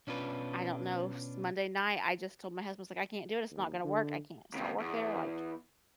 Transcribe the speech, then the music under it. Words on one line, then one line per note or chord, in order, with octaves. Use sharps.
I don't know. S Monday night, I just told my husband, was, like, "I can't do this, it's not gonna work, I can't start work there," like
B2 C#4 D4 F4 B4
D#2
D3
D#2 C3
E2